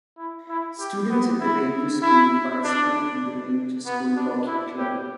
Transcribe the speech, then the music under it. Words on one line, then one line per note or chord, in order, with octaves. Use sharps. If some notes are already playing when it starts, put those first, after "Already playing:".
Students at the Ranger School participate in the Ranger School Hockey Club.
E4
E4
G4
B3
E4
E4
D4
B3
D4
E4
G4